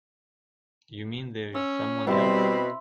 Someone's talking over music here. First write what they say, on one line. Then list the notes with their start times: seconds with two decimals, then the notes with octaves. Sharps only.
You mean there's someone else?
1.55 C#4 E6
2.07 B2 G3 C4 E4 B5 C6